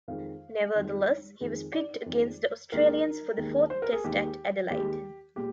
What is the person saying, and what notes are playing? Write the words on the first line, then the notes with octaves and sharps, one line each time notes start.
Nevertheless, he was picked against the Australians for the fourth Test at Adelaide.
F2 D#3 G#3 F5
F2 D#3 G#3
F2 D#3 G#3
D5
F2 D#3 G#3
D#2 D#3 G#3 A#4
D#2 D#3 G#3
C5
A#4
G#4
D#2 D#3 G#3 G4
D#2 D#3 G#3 G4
A#2 G#3 G4